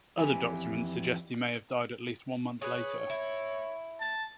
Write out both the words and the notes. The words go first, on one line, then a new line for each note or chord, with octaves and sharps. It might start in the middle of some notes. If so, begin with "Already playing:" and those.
Other documents suggest he may have died at least one month later.
F2 E3 G4 B4 G#5
G#4 B4 C#5
E4
A5